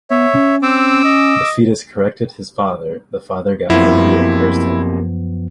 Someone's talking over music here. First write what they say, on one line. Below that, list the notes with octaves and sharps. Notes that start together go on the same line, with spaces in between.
The fetus corrected his father, the father got angry and cursed him.
B3 C#5 E5
C#4
C4 D6 E6
D#5
F#2 C3 F3 A#3 B3 E4